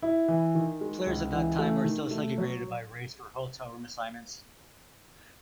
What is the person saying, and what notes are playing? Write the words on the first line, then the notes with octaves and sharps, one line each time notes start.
Players at that time were still segregated by race for hotel-room assignments.
E4
E3
D#3
G#3
C#2
E3
A3
D#3
A3
F#3